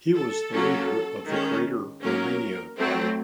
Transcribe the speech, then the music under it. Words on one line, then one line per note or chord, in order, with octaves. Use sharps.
He was the leader of the Greater Romania Party.
A4
F#3 A#3 C#4
D#3 G#3 C#4
F#3 A#3 C#4 A#4
F#3 A3 C4